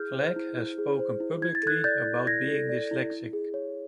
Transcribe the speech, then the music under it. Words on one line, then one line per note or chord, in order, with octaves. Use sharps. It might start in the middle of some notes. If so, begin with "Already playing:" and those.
Flagg has spoken publicly about being dyslexic.
Already playing: E4 G#4 F6 G6
C5
E4
E4
G#4
C5
E4
E4 G#6
A6
A4 F#6 G#6
D5 G6 A6
E4
E4 G#6 A#6
A4
D5
E4
E4
G#4
C#5